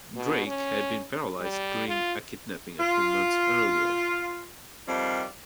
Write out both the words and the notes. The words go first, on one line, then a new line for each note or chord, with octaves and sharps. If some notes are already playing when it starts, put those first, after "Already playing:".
Drake had been paralyzed during a kidnapping a few months earlier.
B2
C#4
G3
F4
F4
F2 D#3 G3 C5 F5